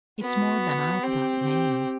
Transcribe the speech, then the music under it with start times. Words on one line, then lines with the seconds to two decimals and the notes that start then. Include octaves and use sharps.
It's more than I've got now.
0.22 B3 F#4
1.03 C4 G4
1.44 G4